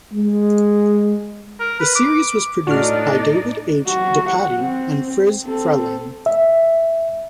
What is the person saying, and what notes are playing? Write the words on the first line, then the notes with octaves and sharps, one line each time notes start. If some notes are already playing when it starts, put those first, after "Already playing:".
The series was produced by David H. DePatie and Friz Freleng.
G#3
A#4
B4
D6
A2 D4 D#4 F#4 D5 F6
F#3 F#4
F#5
C4
C4 A4
E5